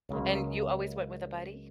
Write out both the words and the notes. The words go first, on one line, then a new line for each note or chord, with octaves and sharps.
And you always went with a buddy?
C#2 C#3 F#3 A#3